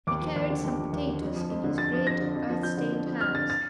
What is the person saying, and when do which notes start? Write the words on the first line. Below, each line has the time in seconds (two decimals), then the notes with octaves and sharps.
He carried some potatoes in his great earth-stained hands.
0.07 D#2 D6
0.22 F3
0.36 D#2
0.50 D3
0.64 D#2
0.78 F3
0.93 D#2
1.07 D3
1.21 F2
1.36 F3
1.50 F2
1.64 D3
1.78 F2 A6
1.93 F3
2.07 F2 A#6
2.21 D3
2.35 F2
2.50 F3
2.63 F2 G6
2.77 D3
2.92 F2
3.06 F3
3.20 F2 F6
3.35 D3 A6
3.50 A6